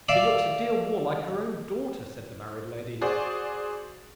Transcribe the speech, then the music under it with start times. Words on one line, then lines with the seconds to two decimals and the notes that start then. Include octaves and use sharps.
'She looks a deal more like her own daughter,' said the married lady.
0.09 D5 E5 F5
3.01 F#4 G#4 C5 D5